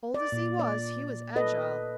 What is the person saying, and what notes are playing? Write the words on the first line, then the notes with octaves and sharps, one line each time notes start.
Old as he was, he was agile.
D5
A#2
D5
A4 B4 D#5